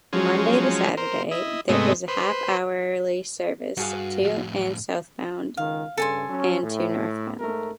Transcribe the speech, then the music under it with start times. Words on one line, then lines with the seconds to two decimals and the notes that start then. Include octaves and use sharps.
Monday-Saturday, there is a half-hourly service to and southbound and to northbound.
0.13 F3 F#3 G#3 C#4
0.97 A#4 C5
1.31 E4 D#5
1.69 G#2 C3 G#3 A3 B3 D#5
2.08 B4 C5
3.77 G2 F#4 G#4 F5
4.23 F2 A2
5.57 C#2 D#3 F5
5.97 G2 C#3 A4 G#5 C6
6.29 F#3 C#4
6.63 A2
7.40 G#2 A3 A#4